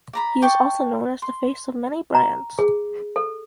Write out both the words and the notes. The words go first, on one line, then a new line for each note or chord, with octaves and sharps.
He is also known as the face of many brands.
D5 A#5 B5
D5 G5 A5 C#6
C6
A#5
G#4
A4